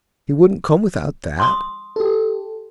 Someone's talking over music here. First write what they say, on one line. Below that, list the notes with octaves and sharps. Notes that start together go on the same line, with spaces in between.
'He wouldn't come without that?'
C6 D#6
G4 A4